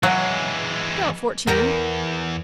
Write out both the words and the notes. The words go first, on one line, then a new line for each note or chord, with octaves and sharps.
"About fourteen."
E3 F#3 G#3
E2 A#4 G5 A#5